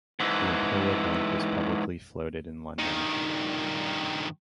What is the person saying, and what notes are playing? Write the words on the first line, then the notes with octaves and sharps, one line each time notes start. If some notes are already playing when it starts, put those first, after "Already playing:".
The Imperial Bank was publicly floated in London.
G#2 E3
G2 D#3